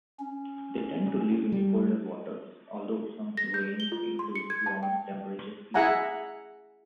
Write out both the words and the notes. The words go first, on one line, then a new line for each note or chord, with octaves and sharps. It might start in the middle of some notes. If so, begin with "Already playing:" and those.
They tend to live in colder waters, although some range into warm-temperate seas.
C#4
G3
A#6
G6
G7
F4
C6
C#7
G#6
A5
G5
E4 G#4 E5 F#5 G#5 A#5